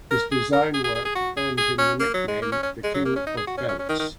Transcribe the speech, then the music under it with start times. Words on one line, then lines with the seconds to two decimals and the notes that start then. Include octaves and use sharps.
His design work earned him the nickname "the King of Belts".
0.11 A#4
0.31 G#4
0.53 A#4
0.74 G#4
0.84 G#4
0.95 G#4
1.05 G#4
1.15 F#4
1.37 G#4
1.58 G#4
1.78 C#4
2.00 A#3
2.14 F#3
2.28 G#3
2.42 A#3
2.52 C#4
2.63 C#4
2.84 G#3
2.94 F#3
3.05 A#3
3.16 C#4
3.26 D#4
3.37 G#4
3.47 F#4
3.57 C#4
3.68 C#4
3.79 C#4
3.89 D#3
3.99 D#3